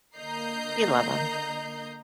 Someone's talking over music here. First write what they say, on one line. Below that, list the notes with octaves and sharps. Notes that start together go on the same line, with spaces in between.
We love 'em.
D3 A#3 D#5 A#5 G6 C7